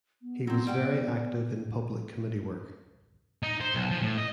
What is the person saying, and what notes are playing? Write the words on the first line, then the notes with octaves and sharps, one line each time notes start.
He was very active in public committee work.
B3
F#3 B3 C4
G3 F#5 G5
D#4
C5
B1
F3
A2
D#5